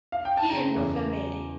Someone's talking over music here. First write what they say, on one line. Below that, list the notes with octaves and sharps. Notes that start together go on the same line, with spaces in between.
He had no family.
F5
G5
A5
C#3 A#5
E2